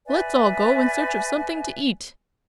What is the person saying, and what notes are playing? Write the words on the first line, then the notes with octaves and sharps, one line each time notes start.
"Let's all go in search of something to eat!"
B4 D5 E5 G#5